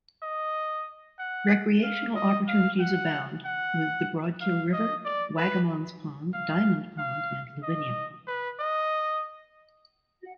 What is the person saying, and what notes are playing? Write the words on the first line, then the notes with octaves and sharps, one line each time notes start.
Recreational opportunities abound with the Broadkill River, Wagamon's Pond, Diamond Pond and Lavinia Pond.
D#5
F#5
F5
D#5
F5
F#5
F#5
F5
D#5
D5
B4
F5
F5
D#5
B4
D#5